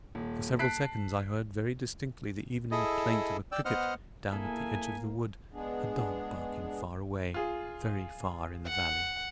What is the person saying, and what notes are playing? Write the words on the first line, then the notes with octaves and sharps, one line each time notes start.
For several seconds I heard very distinctly the evening plaint of a cricket down at the edge of the wood, a dog barking far away, very far in the valley.
D#1
A5 F#6 B6 C7 D7
E4 G#4 A4 D#5
D5 G5 E6
B3 C5 D#5 F#5 F6
A#3 E4 G#4 A4 G#5
G#3 B3 D4 G#4
F4 G#4
F#5